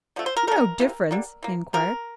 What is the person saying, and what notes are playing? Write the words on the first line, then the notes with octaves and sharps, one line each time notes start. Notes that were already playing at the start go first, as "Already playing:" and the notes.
"No difference?" he inquired.
D3 F3 A3
C5
A#4
D3 A3 A#4
C3 E3 A#3
D3 G3 A#3
E3 A#3
C3 F3 A#3 A#4